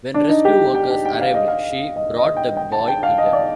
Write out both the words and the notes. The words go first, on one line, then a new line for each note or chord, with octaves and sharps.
When rescue workers arrived she brought the boy to them.
D4
D#4
G4
G5
G5
G5
F5
D#5
F5
D#5
D#5
G5
G5
A5
G5
F5
D#5
D5